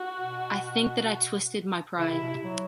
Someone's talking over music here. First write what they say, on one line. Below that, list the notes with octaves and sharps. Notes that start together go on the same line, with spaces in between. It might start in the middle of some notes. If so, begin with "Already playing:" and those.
I think that I twisted my pride.
Already playing: F#4
B2
C#3 E4
C3
B2
C3
F#3